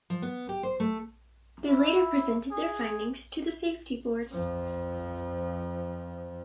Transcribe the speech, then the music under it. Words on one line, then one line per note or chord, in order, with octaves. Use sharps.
They later presented their findings to the safety board.
F3
B3
G4
C5
A3
E4
G#4
F2 F3